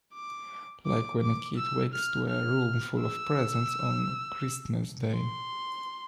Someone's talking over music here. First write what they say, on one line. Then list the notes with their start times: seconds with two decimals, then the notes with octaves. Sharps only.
Like when a kid wakes to a room full of presents on Christmas day.
0.14 D6
0.86 D6
1.21 D6
1.57 E6
1.93 F6
2.29 F6
3.00 E6
5.15 C6